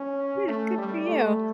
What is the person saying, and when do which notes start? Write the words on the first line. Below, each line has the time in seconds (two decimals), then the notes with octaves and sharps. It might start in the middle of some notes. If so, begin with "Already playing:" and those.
Yeah, good for you.
Already playing: C#4
0.48 A3
0.78 G3
1.07 A3